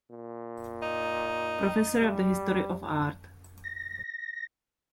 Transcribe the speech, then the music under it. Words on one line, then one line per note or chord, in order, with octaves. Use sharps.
Professor of the History of Art.
A#2
D#4
G3
A#6